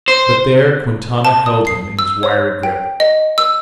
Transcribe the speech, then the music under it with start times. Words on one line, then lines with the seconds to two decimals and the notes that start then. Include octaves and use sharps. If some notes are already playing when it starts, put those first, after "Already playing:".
But there Quintana held him in his wiry grip.
0.08 C5
1.25 A5
1.46 D#6
1.67 C7
1.99 E6
2.23 C#5
2.63 G5
3.00 D#5
3.38 E6